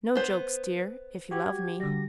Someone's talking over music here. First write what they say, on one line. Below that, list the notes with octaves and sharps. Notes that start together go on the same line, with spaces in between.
No jokes, dear, if you love me.'
B3 C5
F#4 G4 G#6
D3 G3 A#6